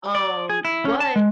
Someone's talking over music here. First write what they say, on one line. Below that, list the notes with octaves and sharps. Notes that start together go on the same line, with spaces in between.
um, but
D5
G#4
E4
C#4
A5
G#3